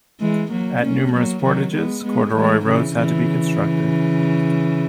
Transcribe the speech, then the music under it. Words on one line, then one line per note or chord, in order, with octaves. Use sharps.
At numerous portages, corduroy roads had to be constructed.
E3 G#3
F#3 A#3
A#3 C#4
F#3 A#3
D#3 F#3
G#3 B3
G#3 B3
E3 G#3
C#3 E3
C#3 E3